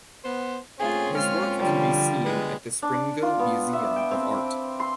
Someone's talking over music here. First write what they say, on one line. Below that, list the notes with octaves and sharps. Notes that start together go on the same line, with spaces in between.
His work can be seen at the Springville Museum of Art.
B3 C5
A#2 A3 C4 C#4 F4 G#4
G#3 F4 F6
D3 F3 G3
G#3 B3
D4
D5
F4
B3
E5
G5
C4
C6